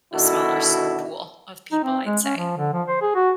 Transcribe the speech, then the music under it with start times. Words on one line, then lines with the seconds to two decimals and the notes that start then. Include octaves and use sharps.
a smaller s pool of people, I'd say.
0.13 B2 D3 D#3 E4 F#4 A4
1.72 D#4
1.84 C4
2.06 G#3
2.24 C#4
2.37 F3
2.57 D3
2.73 F3
2.88 C5
3.02 G#4
3.15 F#4